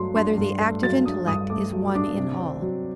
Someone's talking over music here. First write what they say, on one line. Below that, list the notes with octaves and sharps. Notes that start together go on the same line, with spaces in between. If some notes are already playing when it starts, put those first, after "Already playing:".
Whether the Active Intellect Is One in All?
Already playing: G2 F#3 A3 C6
D4 C6
G2
A3
F#3 A6
D4 D#6
G2 D#6
A3 D6
F#3
D4 D6
C3
C4
F#3